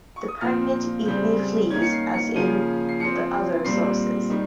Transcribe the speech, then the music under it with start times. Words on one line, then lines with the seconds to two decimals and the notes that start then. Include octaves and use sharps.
The pregnant Eithne flees as in the other sources.
0.16 C#6
0.28 D#6
0.41 A#2 F3 C4 F6
1.05 C#3 G3 C4 G6
1.70 D#3 A#3 C#4 G#6
1.82 C#7
1.92 C7
2.14 C#7
2.35 C#3 F3 A#3 C#4 D#7
2.89 C7
3.00 F3 C4 C#7
3.65 A#2 G3 C4 C7
4.29 D#3 G3